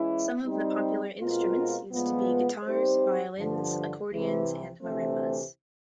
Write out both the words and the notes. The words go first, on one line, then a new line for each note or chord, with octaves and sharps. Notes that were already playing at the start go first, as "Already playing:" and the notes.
Some of the popular instruments used to be guitars, violins, accordions, and marimbas.
Already playing: E3 G#3 C#4 E4
G3 C4 D#4
B2 G#3 C4 F4 A#4
A#2 F3 G#3 B3
G3 C4 D#4 G4 C5
G2 D3 F3
C2 C3 E3
D2 C3 E3 A3 C4